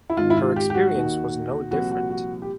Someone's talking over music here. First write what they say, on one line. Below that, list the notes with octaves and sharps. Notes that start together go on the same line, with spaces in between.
Her experience was no different.
E4
G#1 G#2 D#3 F4
E4
F4
G4
G4
F#4
D#2 D#3
C2 A#2 F3 F#4
F#4
F#4
G4